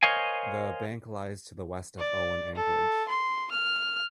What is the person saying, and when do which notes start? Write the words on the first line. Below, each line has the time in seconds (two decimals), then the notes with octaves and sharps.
The bank lies to the west of Owen Anchorage.
0.03 A#4 C5 C#5 D#5 F5 G#5
1.99 D5
2.55 A4
3.08 C6
3.51 F6